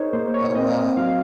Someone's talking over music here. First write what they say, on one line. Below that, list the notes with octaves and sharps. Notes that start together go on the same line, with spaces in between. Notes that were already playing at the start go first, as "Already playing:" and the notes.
Oh wow.
Already playing: D#4 G#4 A#4 C5 C#5
A#3 C5
C#5
C4 D#5
F#3 F5